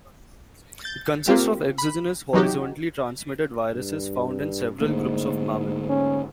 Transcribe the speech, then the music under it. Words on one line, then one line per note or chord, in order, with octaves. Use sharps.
It consists of exogenous horizontally transmitted viruses found in several groups of mammals.
G6 A6
A#3 C4 F4 G4
B5
E3 F#3 D#4 F#4 G4
G2
G#2 D3 A3 A#3
C#4